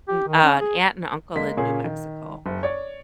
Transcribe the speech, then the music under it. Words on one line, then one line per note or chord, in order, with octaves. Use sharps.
mm an aunt and uncle in New Mexico.
G4
D#3
C#4
G#4
G#3 A#3 B6
A#2 A#3 C#4 G#4
D#3
F#1
C#5 D5